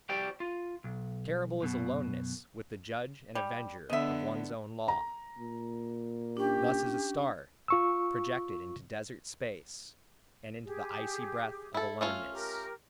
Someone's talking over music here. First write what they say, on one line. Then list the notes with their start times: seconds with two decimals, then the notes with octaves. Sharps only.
Terrible is aloneness with the judge and avenger of one's own law. Thus is a star projected into desert space, and into the icy breath of aloneness.
0.09 F#4 G4 C5 D5 G5
0.40 F4
0.84 B1
1.62 F#2 B2
3.35 G3
3.90 D3 B3 D#5 E5
4.88 A#5
5.38 A#2
6.37 C#4 D4 G4
7.68 F4 C#6 E6
10.65 G4 G#4
11.74 E4 A4
12.01 A3 C#4 F4
12.31 G4 A#4